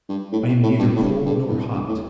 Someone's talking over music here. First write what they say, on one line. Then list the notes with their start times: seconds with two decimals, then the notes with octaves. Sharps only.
I am neither cold nor hot.
0.09 G2
0.32 A2
0.47 C3
0.63 A2
0.78 G2
0.96 A2
1.02 G2
1.26 G2
1.48 E2
1.73 G2
1.88 A2